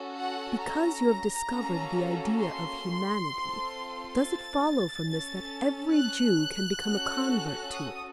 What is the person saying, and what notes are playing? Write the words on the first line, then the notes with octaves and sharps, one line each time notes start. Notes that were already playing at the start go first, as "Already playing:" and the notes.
Because you have discovered the idea of humanity, does it follow from this that every Jew can become a convert to it?
Already playing: C#4 F#4 A4
F#5
A#5
A#3 C#4 F#4 A4
C6
C4 F4 A4
A6
C#4 A4
F#6
C#4 F#4 A4
D#6